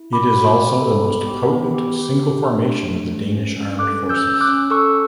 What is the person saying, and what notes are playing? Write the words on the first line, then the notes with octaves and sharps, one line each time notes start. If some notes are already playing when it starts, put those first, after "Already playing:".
It is also the most potent single formation of the Danish armed forces.
Already playing: E4
F#4 B5 D6
F#4
F#4
A4
B3
G4
B3
G4
G4
G4
D4
D4
A3
A3
C#4
C#4
A4 D6 F#6
C#4
E6 G6
C#4
E6
D6 F#6
C#4
A4 C#6 E6